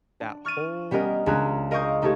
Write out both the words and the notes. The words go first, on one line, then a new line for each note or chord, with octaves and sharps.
That whole
D4
C#6 F6 A6 D#7
G3 B3 C#4 A#4 D#5
C#2 D4 G#4 A#5 F#6
A#4 D#5 F5 C#6 D#6 G6
A3 D#4 G4 A4 C#5